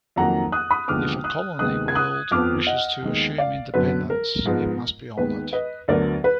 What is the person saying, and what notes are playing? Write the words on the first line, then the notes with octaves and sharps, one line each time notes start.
If a colony world wishes to assume independence, it must be honored.
F2 D#3 F#3 A#3 F#5 A#5
D#6 F#6
B5 D#6
D#2 D3 F3 G#3 B3 D6 F6
D#6 F#6
D#2 D#3 G#3 B3 D#6 F#6
G#6
D#6 F#6
F2 F3 B3 D6 F6
D#5 F#5
D#2 D#3 G#3 B3
D5 F5
F#2 D3 F#3 B3 B4
A#4
G#2 F3 G#3 B3
D#2 D#3 G#3 B3 B4
B4 D#5
D2 D3 F#3 B3 A#4 D5
B4